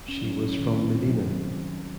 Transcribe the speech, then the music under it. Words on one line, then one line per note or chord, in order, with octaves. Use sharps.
She was from Medina.
C#4
F#3
C#4
D#3
C4
C4
F#3
D#3
F#3
D#3
D#3